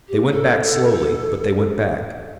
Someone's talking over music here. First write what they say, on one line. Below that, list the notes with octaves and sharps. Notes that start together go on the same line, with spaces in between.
They went back slowly, but they went back.
G4
A4